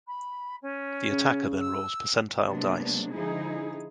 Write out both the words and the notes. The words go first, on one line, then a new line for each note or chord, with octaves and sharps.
The attacker then rolls percentile dice.
B5
C#4
C#3
E6
C3 F#3 G#3 A#3 B3 D4
D3 F3 D#4 E4 G#4